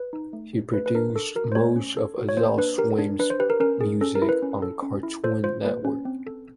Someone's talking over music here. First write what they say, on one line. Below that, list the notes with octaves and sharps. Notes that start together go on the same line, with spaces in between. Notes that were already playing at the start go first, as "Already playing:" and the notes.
He produced most of Adult Swim's music on Cartoon Network.
Already playing: B4
D#4
A3
G4
A3 B4
B4
D4 A#4
A4
F#4 A#4
C5
A3 C#5
C#4
A4
F#4
C#5
A#3 C5
D4 B4
G4 A#4
D4
D4 B4
C5
G4 B4
A#4
C#4 A#4
G#4
C#4 A4
A#4
E4
B4
C#4
A4
C#4
E4
A4 C5
F4 C5
A#3 B4
C#4
C4
A4